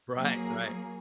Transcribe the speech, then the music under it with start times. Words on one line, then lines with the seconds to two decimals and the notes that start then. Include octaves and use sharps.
Right, right.
0.15 F#3 A#3 G#4